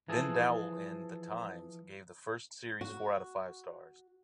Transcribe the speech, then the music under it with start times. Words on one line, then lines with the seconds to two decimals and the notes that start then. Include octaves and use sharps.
Ben Dowell in "The Times" gave the first series four out of five stars.
0.08 E3 F3 G#4 A4
2.81 F#4